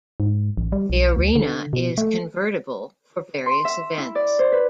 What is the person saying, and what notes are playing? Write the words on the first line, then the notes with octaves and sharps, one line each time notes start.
The arena is convertible for various events.
G#2
A1
G3
B1
D2
D3
B2
A3
C6
E5
E4
D5
C5
B4